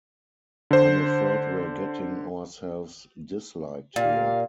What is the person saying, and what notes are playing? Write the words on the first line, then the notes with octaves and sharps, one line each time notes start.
I'm afraid we're getting ourselves disliked here.
D3 C5
A#2 G4 F5